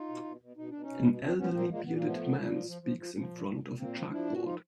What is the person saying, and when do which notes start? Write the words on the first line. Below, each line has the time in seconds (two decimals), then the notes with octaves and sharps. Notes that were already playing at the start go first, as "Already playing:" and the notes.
An elderly bearded man speaks in front of a chalkboard.
Already playing: D#4 F4
0.09 B2
0.24 B2
0.41 B2
0.57 B2 D#4
0.69 B2 D4
0.81 C#4 D#4
0.88 B2
1.05 B2
1.21 F3 C4 D4
1.38 F3 B3 C#4
1.53 A#2 A#3 C4
1.64 B3
1.69 A#2 G#3 A#3
1.85 A#2 B3
1.96 A#3
2.02 F3 A3 B3
2.17 A#2
2.35 A#2
2.50 F3
2.67 F3
2.82 F3
2.98 F3
3.14 F3
3.31 A#2
3.46 A#2
3.63 A#2
3.79 A#2 A#3 C4
3.95 F3
4.11 F3 D4 E4
4.27 A#2
4.32 F#4
4.43 F3 D#4 F4